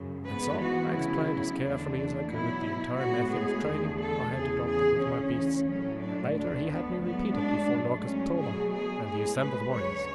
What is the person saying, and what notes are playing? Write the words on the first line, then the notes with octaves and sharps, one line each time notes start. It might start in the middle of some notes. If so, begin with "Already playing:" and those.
And so I explained as carefully as I could the entire method of training I had adopted with my beasts, and later he had me repeat it before Lorquas Ptomel and the assembled warriors.
Already playing: F#2 C#3
G#2 E3 G#3 B3 B4
F#4
D2 C#3 F#3 B3 E4
E2 D3 A3 D4
D4
B2 F#3 B3 E4
A2 G#3 B3 F#4
G#4
E2 D3 A3
A4
E2 C#3 E3 G#4
G#4
D2 C#3 E3 C#4
A2 F#3 A3 C#4
D4
D2 D3 A3 D4
B3
G#2 F#3 A3 B3
D4
G#2 F#3 A3
C#4
B2 F#3 A3 G#4
G#4
A2 G#3 B3 G#4
B4
D2 C#3 F#3 C#5